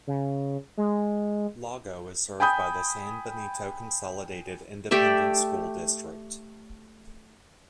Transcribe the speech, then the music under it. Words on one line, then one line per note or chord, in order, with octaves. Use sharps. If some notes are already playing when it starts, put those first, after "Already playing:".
Lago is served by the San Benito Consolidated Independent School District.
C#3
G#3
G5 G#5 B5 D#6 G6
A3 G4 D5 E5